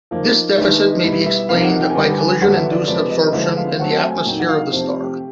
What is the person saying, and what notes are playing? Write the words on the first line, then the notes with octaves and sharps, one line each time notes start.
This deficit may be explained by collision-induced absorption in the atmosphere of the star.
F3 A#3 D#4
D#3 G#3 B3 D4 E5
D#5
B2 G3 B3 E4
E5
C3 F3 A#3 D#4 F5
F#5
G5
G#5
D3 G3 B3 D4 G5
G#5
D3 F#3 B3 F#5
E5
D5
C3 F3 G#3 B3 D5
D#5
D3 F3 G#3 B3 E4 E5
F5
F#3 A3 C4 F#5
G5
G#5
A#2 F#3 A#3 D#4 G5
F#5
F5
C3 F3 A3 C4 C5
G4
G4